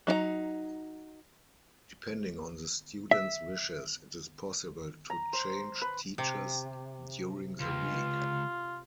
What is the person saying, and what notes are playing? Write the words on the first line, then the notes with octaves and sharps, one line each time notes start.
Depending on the student's wishes, it is possible to change teachers during the week.
F#3 D#4 A#4 A#5
E5
A#5
C5
B4
C3
C#2 F4